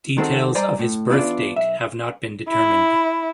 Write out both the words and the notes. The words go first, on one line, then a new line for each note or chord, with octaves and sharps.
Details of his birth date have not been determined.
D#3 G#3 C4 F#4 A4
G#2 G3 C5 D5 G#5 A#5
A2
E2 E3 B3 D4 F4 D5
B1 E5
E4